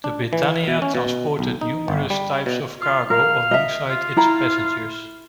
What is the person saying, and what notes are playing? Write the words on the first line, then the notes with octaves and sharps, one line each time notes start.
The Britannia transported numerous types of cargo alongside its passengers.
D4
E3
B2
C#4
B2
B1
D#4
G1
G3
B2
F4
A#4 F5
D#5 E5
F4
E4 A#5 B5